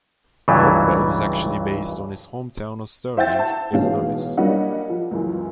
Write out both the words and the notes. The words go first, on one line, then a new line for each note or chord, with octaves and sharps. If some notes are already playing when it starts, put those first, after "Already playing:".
Hopewell is actually based on his hometown of Sterling, Illinois.
C#2 G2 C#3 E3 F#3 A3
C5 E5 F#5 G5 G6 A6
A5
A1 G#2 B2 G#3 C#4 F5
G3 A#3 C#4 D4 D#5 F#5
F3
C#2 F#2 E3